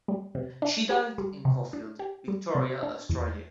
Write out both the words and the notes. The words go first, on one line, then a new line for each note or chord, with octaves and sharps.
She died in Caulfield, Victoria, Australia.
G3
C3
D4
G4
G3
C3
D4
G4
G3
C3
D4
E2